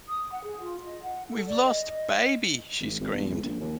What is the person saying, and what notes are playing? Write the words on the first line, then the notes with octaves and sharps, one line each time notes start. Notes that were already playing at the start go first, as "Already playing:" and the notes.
"We've lost baby," she screamed.
D#6
F#5
G#4
F4
D#5
F#5
A4
D5
D#5
G#1
G#1
E1
C#2
A#1
D#2